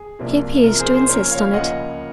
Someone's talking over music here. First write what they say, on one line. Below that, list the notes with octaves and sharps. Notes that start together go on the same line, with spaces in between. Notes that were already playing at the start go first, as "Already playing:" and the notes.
"She appears to insist on it."
Already playing: G#4
C2 C3 F3 A#3
C2 C3 F3 A#3 A#4
G#4 C5
G#4 C5
C#2 C#3 F3 A#3 A#4 C#5
C#5 F5
C#2 C#3 F3 A#3 D#5 F#5